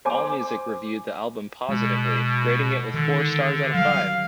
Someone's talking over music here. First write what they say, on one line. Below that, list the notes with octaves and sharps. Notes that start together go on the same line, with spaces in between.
Allmusic reviewed the album positively, grading it with four stars out of five.
C5 G#5 D6
B2 G#3
D3 D#3
F#3 G3 F5